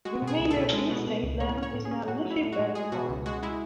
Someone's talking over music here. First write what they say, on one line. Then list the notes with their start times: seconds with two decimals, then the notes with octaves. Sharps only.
The remainder of the estate land is now Liffey Valley Park.
0.05 G#3 F#4
0.22 B2
0.27 G#4
0.39 C#2
0.51 A4
0.56 B2
0.73 G#3
0.90 B2
1.07 B2
1.23 C#2
1.40 A2 C#5
1.57 C#4
1.63 C#5
1.74 A2
1.85 G#4
1.91 C#4
2.08 A2 F#4
2.25 F#3
2.30 E4
2.41 A2
2.53 F#4
2.59 A2
2.75 G#3 G#4
2.92 B2 F#4
3.09 C#2
3.26 G#3 F#4
3.43 G#3 E4